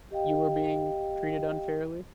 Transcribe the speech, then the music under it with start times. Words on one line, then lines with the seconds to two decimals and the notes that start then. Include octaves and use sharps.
you were being treated unfairly?
0.11 G4 D#5 F5 G5